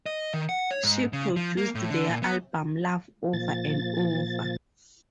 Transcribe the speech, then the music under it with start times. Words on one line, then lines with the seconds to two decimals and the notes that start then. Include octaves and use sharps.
She produced their album "Love Over and Over".
0.06 D#5
0.34 D#3
0.49 F#5
0.71 C#5
0.83 G#2
1.13 C#3
1.36 F3
1.57 A#3
1.75 A2
1.90 D3
2.08 A#2
2.23 B3
3.33 A#2 F3 A6